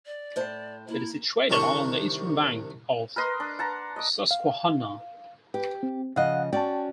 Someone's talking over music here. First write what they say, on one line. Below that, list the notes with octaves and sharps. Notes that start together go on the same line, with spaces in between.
It is situated along the eastern bank of the Susquehanna.
D5
A2 C5 A5
A#3 E4
C2 C3 D#3 D4 E5 C#6
A#4 B4 D#5 C6
D4
F#5 A5 A#5
D#5 D6
F5
G4 B4
C4
C#3 F3 D#5 F5 F#5 F#6
C#4 F#4 D5 G5 A5